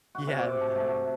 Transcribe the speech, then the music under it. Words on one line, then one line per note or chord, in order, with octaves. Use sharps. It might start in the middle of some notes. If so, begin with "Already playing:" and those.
Yeah, no, yeah.
F#4
C3
D6
A5
A3